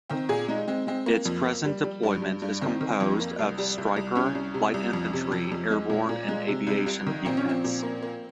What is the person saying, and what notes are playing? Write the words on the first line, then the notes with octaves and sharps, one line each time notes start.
Its present deployment is composed of Stryker, light infantry, airborne, and aviation units.
D#3 C4
A#2 G#4
G#3 D#4
G#3 C4
G#3 C4
A#3
F2
A#3
G3
G3
G2
G2
G2
D#3 C4
D#3
F2
A#3
C2
G3
C2
C2
C2 C#4
C2
C3
C2
F2
C3
F2
F2
G#3
A#2
A#2
G#3
C3
C2
C2
D#3
A#2 C4
C#4
F3 C4
A#2
A#3
A#3